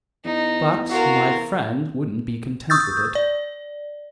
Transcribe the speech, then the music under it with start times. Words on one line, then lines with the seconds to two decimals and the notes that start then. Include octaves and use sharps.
But my friend wouldn't be content with it.
0.25 E2 D#4
0.91 F4 F#4 A#4
2.70 C#6 D#6 E6 G6 A6
3.15 D5